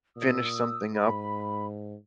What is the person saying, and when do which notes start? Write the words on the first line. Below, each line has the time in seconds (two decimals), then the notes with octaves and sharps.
finish something up
0.16 A#2 D#6 E6
0.92 G#2 B5